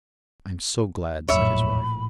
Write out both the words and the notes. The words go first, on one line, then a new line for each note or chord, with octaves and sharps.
"I am so glad," said his wife.
E1 A#1 F#2 A2 C#5 E5 B5